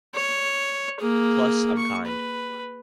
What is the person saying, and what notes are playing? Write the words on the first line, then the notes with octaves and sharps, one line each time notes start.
Plus I'm kind.
C#5
A#3 G#4
C#6
B4